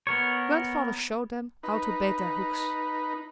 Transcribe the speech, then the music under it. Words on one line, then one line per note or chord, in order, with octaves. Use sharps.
Grandfather showed them how to bait their hooks.
B3 A#4 C#5
D#4 B4